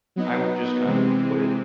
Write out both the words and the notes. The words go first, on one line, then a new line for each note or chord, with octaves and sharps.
I would just kind of put it
F#3 B3 D#4
C3 E3 G#3 C4